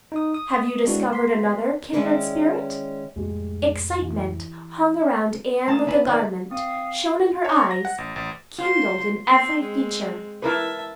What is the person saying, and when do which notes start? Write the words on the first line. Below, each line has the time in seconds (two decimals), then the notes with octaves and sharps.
"Have you discovered another kindred spirit?" Excitement hung around Anne like a garment, shone in her eyes, kindled in every feature.
0.12 D#4 D#6
0.34 D#6
0.85 G#3 B3 C4 D4 E4 F#4
1.11 B3 C6 B6
1.93 D#3 G#3 C#4 E4 B4 D5
3.16 F2 A2 G#3 A3 G4
4.02 E3 G4
5.68 A3 A#3 C#4 A5 A#5 D#6
5.87 B3 E5 G#5 B5
6.07 D#2 D#3 A#3 B4 D5
6.51 C4 F5 D#6
7.44 C#5
7.71 A#6
7.85 F#5
7.98 A1
8.16 A1
8.59 F4 C5 C6
9.26 C4 C6
9.59 G#3 C4
10.42 E4 A#4 B4 E5 A5